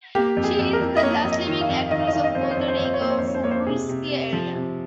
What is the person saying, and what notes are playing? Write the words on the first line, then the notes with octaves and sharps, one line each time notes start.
She is the last living actress of Golden Age of Burlesque era.
A#3 G4
F2
G#4
F2
A#4
F2
D#5
A#3 C#5
F2
D#5
D#3
F5
F2
D#3 D#5
F5
D#5
D#3 F5
D#5
F2 C5
C#5
C5
F2 C#5
C5
F2 C#5
C5
C#5
A#3 C5
C#5
C5
F2 C#5
C5
A#3 C#5
C5
C3 G#4
C3
C3
F3
C3